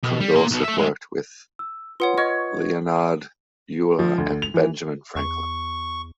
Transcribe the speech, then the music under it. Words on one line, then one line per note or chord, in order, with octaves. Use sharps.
Condorcet worked with Leonhard Euler and Benjamin Franklin.
B2
G3
A#3 C6
B1 B2
A4 E5
G#3 A3
E6
F4 B4 C#5 F#5 C6 D#6
C#5 D#5 C#6 F6
F3
D2
F7
E3
E2 C#6